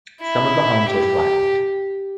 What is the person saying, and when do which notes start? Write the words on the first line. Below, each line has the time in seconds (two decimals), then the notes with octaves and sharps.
Some of the homes were flattened.
0.21 E4
0.86 G4